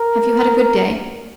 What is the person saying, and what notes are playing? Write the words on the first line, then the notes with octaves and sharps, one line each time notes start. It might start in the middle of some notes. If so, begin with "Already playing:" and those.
"Have you had a good day?"
Already playing: A#4